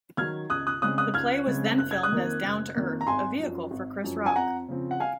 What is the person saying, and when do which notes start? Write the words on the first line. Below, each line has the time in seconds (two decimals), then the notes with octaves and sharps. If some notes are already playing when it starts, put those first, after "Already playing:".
The play was then filmed as "Down to Earth", a vehicle for Chris Rock.
0.17 D#3 F#3 F6 G#6
0.50 C#2 D#6 F#6
0.67 D#6 F#6
0.82 C#3 G#3 C4 D#6 F#6
0.98 D#6 F#6
1.14 C#2 F6 G#6
1.47 C#3 G#3 C4
1.78 F#1 F#6
1.91 G#6
2.03 D#6 F#6
2.11 F2 D#3 A#3
2.43 F#1
2.75 F2 D#3 A#3
3.01 A#5
3.07 G#1 G#5 C6
3.39 F#2 F3
3.71 G#1
4.04 F#2 F3
4.26 G#5
4.36 F2 F#5 A#5
4.68 C#3 F3 C4
4.91 F#5
5.00 F5 G#5